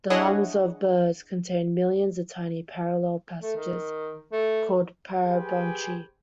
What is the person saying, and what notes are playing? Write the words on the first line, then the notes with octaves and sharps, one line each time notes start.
The lungs of birds contain millions of tiny parallel passages called parabronchi.
D4 E4 G#4 C#5 D#5 F#5
A3
D#3
A3
G4 G#4 B4 C5 G5 G#5